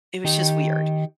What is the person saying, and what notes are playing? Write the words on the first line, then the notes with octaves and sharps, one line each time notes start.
it was just weird.
D#3 D#4 G4